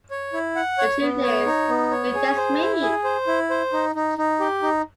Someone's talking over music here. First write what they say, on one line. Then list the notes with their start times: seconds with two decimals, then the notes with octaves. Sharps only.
The truth is, it's just me.
0.11 C#5
0.33 E4
0.56 F#5
0.78 C#5
1.01 B3
1.23 C#5
1.46 D#4
1.69 B3
1.91 C#5
2.15 G#4
2.37 C5
2.60 E4
2.82 G#4
3.04 C5
3.27 E4
3.50 C5
3.73 D#4
3.95 D#4
4.18 D#4
4.40 G4
4.62 D#4